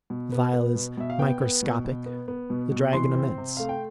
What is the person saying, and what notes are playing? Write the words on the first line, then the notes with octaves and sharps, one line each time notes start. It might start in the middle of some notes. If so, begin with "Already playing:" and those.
The phial is microscopic, the dragon immense.
B2
B3
B3
B2
B2 E5
F5
B3 G5
B3
B2
B2
B3
B3
B2
B2
E3 C6
C4
C3
A3 F5
G5